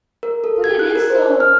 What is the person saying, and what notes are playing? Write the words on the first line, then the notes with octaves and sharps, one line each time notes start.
"But it is so."
A#4
A4
G#6
F#6
A#4
C5
F6